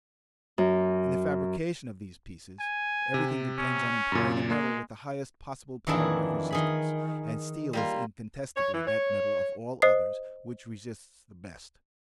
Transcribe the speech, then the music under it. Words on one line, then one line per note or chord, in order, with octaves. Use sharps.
In the fabrication of these pieces, everything depends on employing a metal with the highest possible power of resistance, and steel is incontestably that metal of all others which resists the best.
F#2
G#5
C3
C#4
F#2 A#2
G#3 A#3
F2 D#3 E3 D4 E4 G#4
D#3 G#4 B5
G3 A#3 F4
C#5
E3
C#5
C5 D#5 D#6 C7